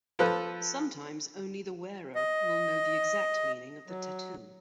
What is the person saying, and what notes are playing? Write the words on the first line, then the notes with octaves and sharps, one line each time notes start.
Sometimes, only the wearer will know the exact meaning of the tattoo.
F3 A4 B4
D#5
F#3